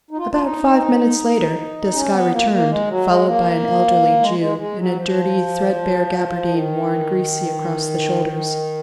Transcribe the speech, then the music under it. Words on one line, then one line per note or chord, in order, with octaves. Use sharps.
About five minutes later, Desgas returned, followed by an elderly Jew, in a dirty, threadbare gaberdine, worn greasy across the shoulders.
D#4
F4
F4
D#4
C#4
B3
A#3
A#3
G#3
F#3
G#3
A#3
G#3
G#3
G#3
F#3
F3
D#3